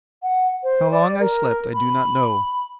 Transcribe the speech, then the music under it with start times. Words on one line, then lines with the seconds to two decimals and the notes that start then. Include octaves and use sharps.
How long I slept I do not know.
0.23 F#5
0.64 C5
0.91 D5
1.20 A#4
1.74 B5